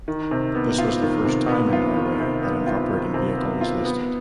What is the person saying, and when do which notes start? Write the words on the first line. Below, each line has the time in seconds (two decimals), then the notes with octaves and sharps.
This was the first time in Norway that an operating vehicle was listed.
0.08 D#3
0.31 C3
0.55 B3
0.78 F4
1.02 D#3
1.25 C3
1.49 B3
1.73 F4
1.96 D#3
2.20 C3
2.43 B3
2.67 F4
2.91 D#3
3.14 C3
3.38 B3
3.61 F4
3.85 B3